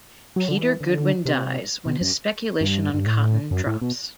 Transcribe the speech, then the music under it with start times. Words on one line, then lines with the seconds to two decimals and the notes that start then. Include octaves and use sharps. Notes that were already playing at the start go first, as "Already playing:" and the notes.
Peter Goodwin dies when his speculation on cotton drops.
0.36 F#3
0.49 D3
0.59 E3
0.80 D3
1.26 C3
1.86 B2
2.01 F#2
2.61 G2
2.94 G2
3.06 A2
3.51 F#2
3.67 A2
3.82 B2